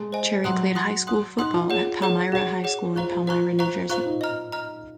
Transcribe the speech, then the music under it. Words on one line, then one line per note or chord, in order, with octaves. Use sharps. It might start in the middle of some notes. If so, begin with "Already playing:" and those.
Cherry played high school football at Palmyra High School in Palmyra, New Jersey.
Already playing: G#3
C5 D#5 G#5
F#3 F#5 C6 D#6 F#6
F#5 C6 D#6 F#6
F#5 C6 D#6 F#6
D#4 F#5 C6 D#6 F#6
F4
G#4 C#5 F#5
G#4 C#5 F#5
F#4 G#4 C#5 F#5
G#4 C#5 F#5
F4 C5 F5 A#5 C#6 F#6
F4
F4 C5 F5 A#5 C#6 F#6
C5 F5 A#5 C#6 F#6
F4 C5 F5 A#5 C#6 F#6
D#4
D#5 A#5 F6
D#5 A#5 F6